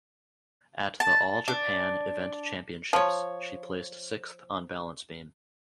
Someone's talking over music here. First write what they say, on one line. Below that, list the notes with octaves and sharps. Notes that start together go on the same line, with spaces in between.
At the All Japan Event Championships she placed sixth on balance beam.
A5
D4
F3 C#5